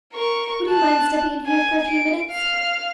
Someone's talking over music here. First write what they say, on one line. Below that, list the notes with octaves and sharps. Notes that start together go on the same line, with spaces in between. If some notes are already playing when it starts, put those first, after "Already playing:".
Would you mind stepping in here for a few minutes?
A#4 C#6
A5 F#6
G#5
D7
F5 F6